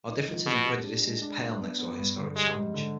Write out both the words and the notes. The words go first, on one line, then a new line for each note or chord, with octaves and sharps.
Our differences and prejudices pale next to our historic challenge.
D#4
F3
B2 C4
G4
D4
G#3
D4
D4
B3
B3
G2
D3
G3 G#3
G#2
D3